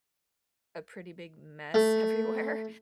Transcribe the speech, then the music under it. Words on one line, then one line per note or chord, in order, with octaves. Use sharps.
a pretty big mess everywhere,
A3